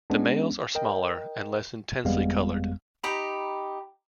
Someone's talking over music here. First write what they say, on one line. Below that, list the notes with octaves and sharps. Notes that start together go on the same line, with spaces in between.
The males are smaller and less intensely colored.
G#3 B3 C#4 D4
A#4 D#5 G5
G1 F2 G3 G#3 B3 F5
D#4 G4 A#5 B5